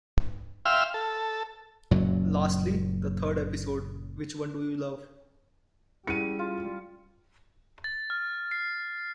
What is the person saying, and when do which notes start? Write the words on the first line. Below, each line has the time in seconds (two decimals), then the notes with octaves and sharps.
Lastly, the third episode, 'Which One Do You Love?
0.65 E5 F5 G5 C6 E6 F6
0.94 A4
1.91 F#1 F#2 A#2 F#3
6.07 G3 C#4 E4 G#4 C#7 D#7
6.39 F4
7.84 A6
8.10 F6
8.51 C7